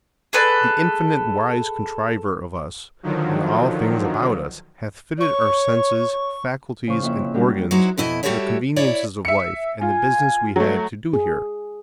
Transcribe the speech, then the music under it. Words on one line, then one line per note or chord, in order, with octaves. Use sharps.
The infinite wise Contriver of us, and all things about us, hath fitted our senses, faculties, and organs, to the conveniences of life, and the business we have to do here.
G#4 A4 B4 D5
D3 D#3 F3 F#3
C#5 C#6
C#3 F3 C5 C#6 F6
F2 A#3 E4 E5
G3 C#4 D4 F#4 G4 A#4
F#3 D#4 E4 C5
F2 B2 E4 D#5
G3 F#4 G4 A4 C#5 E5
E4 C#5 D5
E5 C#7
F4 G#5
F#3 A3
G#4